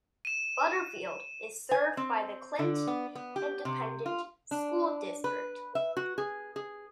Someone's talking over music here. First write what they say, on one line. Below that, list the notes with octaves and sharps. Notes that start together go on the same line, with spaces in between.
Butterfield is served by the Clint Independent School District.
D#7 E7
G#5
C4
D3
B3
B3
G4
C3
F4
D4
B4
E5
F#4
G#4
G#4